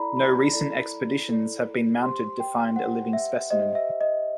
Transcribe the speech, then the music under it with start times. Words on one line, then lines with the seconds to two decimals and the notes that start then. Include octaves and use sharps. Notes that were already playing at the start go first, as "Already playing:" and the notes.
No recent expeditions have been mounted to find a living specimen.
Already playing: E4 A4 D5 A#5 B5
0.16 B5
0.53 E4 A4 D5
1.28 E4 A4 D5
2.03 G4 C5 C6
2.40 G5
2.76 G4 C5 F#5
3.13 E5
3.50 G4 C5 D#5
3.75 E5
4.01 D#5